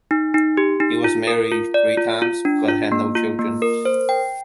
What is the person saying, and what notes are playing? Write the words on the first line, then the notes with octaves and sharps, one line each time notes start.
He was married three times, but had no children.
D#4
D#4
G4
D#4
F4
A#4
F4
D5
F4
F4
D4
F4
A#3
F4
A#3
A#4
C5
G5